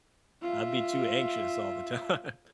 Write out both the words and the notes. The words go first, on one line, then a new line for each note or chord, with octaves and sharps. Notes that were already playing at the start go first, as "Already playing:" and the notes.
I'd be too anxious all the time.
F4 E5